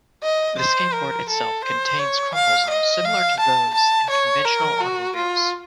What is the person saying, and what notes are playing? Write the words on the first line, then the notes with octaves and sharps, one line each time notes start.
The skateboard itself contains crumple zones similar to those in conventional automobiles.
D#5
C5
A#4
A4
C5
C#5
F5
D#5
F5
A5
A5
C#5
A#4
F#4
F4